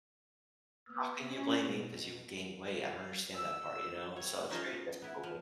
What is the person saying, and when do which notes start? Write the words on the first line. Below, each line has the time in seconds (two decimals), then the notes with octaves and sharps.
How can you blame me because you've gained weight? I don't understand that part, you know? So it's very difficult when
0.92 B3
1.30 C#4
1.69 B2
2.73 F5
3.35 E6
4.16 G3 C#5
4.50 C#4 D#4 F4 A4 C5 D#5
5.02 B3 E4
5.23 F3